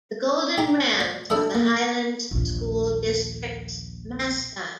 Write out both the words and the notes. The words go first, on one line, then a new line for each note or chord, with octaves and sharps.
The Golden Rams are the Highlands School District's mascot.
G4 A#5 D6
D5
D4 E4 A4 D#5
A#3
A#1 D#2